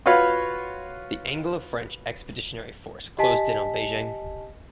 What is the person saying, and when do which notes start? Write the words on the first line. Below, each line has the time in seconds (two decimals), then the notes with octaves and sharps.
The Anglo-French expeditionary force closed in on Beijing.
0.06 F4 F#4 B4 C#5 F5
3.19 G4 D#5 G#5 A5 B6